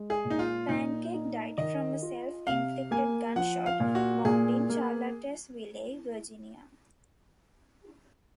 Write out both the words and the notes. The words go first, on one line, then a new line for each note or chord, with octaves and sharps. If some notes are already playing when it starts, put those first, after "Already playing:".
Pancake died from a self-inflicted gunshot wound in Charlottesville, Virginia.
Already playing: G#3
G#4
A#2
D#4
F4
A#2 D#4
D#4
D#3 D#5
F4
C3 F5
A#3 G#5
F3 F#5
F5
A#2
F#4
A#2 G#4
A#3